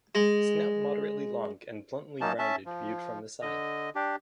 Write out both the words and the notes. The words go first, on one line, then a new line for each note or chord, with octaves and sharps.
Snout moderately long and bluntly rounded viewed from the side.
G#3
F#2 F#3 A#3 C#4 D#4 A5
C#4 E5 A5
F3
D3 D#5
D4 G4